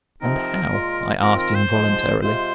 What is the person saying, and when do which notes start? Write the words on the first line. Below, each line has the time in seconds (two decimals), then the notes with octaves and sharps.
"And how?" I asked involuntarily.
0.21 C3 F3 C4 D#4 A#4
0.71 A#2 G#3 F4
1.22 D#3 C4 F4 A#4
1.39 A#4
1.55 C5
1.72 G#2 F3 G#3
2.22 C3 G#3 F4 C5